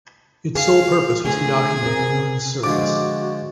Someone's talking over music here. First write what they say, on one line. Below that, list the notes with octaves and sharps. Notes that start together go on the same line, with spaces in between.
Its sole purpose was to document the Moon's surface.
G#4 F5
D3 A3 G#4
C4 A#4
D3 F3 G#3 F#4 D6